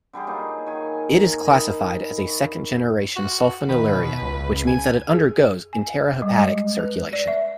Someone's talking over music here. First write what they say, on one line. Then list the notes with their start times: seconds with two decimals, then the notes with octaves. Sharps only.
It is classified as a second-generation sulfonylurea, which means that it undergoes enterohepatic circulation.
0.13 D3 G3 G4 G#4
0.27 F#3 A#3 D#4 F4
0.66 D#3 G#5
1.45 D#5 B5
2.18 B5 C#6
3.16 F#4
3.69 D#3 B4
3.93 B2
4.22 C#2
4.67 G#5
5.12 G#4
5.73 G#5
6.22 G3
6.38 G#3
6.79 B4
7.13 D5
7.27 E5